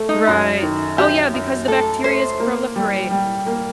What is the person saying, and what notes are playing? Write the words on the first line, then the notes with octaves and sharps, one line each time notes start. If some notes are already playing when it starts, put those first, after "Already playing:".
Right. Oh yeah, because the bacterias proliferate.
Already playing: A3
D#4
F#2
D#3
F#2 G4
F#2
A3 A4
A3 C5
A#3
G3
G3
A#3